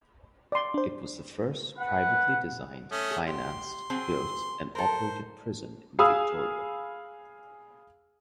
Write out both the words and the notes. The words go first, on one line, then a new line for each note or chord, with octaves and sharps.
It was the first privately designed, financed, built and operated prison in Victoria.
D5 C6
D4 C5
B4 F#5
A3 C#4 D#6
G#4
G4 C6
F#3 C4 G#4
A4 A#4 C5
G#4 F5 G#5 B5 D#6 E6